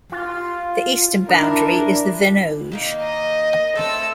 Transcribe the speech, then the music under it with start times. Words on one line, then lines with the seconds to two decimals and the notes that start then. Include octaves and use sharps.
The eastern boundary is the Venoge.
0.12 F4
1.29 D4 E4 A#4
2.72 D#3 A#3 D#4
3.01 D#5
3.75 A3 C4 E4 A4 E6